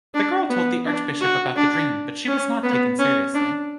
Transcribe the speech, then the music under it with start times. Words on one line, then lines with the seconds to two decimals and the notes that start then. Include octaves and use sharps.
The girl told the archbishop about the dream but she was not taken seriously.
0.14 D4
0.50 B3
0.86 D4
1.21 F#4
1.56 D4
2.28 C#4
2.63 B3
2.99 C#4
3.34 D4